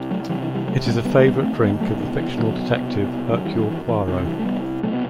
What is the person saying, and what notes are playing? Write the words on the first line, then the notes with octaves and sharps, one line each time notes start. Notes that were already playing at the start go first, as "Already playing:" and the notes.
It is a favourite drink of the fictional detective Hercule Poirot.
Already playing: C2
F#3 A3
C2 C3 E3 G3
E3
E3 G3
F#3 A3
G3 B3
D#2 G3 B3
A3
G3 B3
A3 C4
G3 B3
C2 B2 F#3 A3
D#3
E3
D#3 F#3
C2 B2
F#2 D#3 F#3
E3 G3
D#3 F#3
E3
E3
C2 C3 D#3
E3 G3
A3
G3 B3
C2 B2 F#3 A3
B3